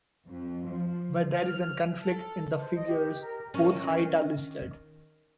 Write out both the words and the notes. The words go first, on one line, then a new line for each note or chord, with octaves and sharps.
Where there is a conflict in the figures both heights are listed.
F2
F3
F6
A4
C5
D#5
G4
A#4
D#3 C#4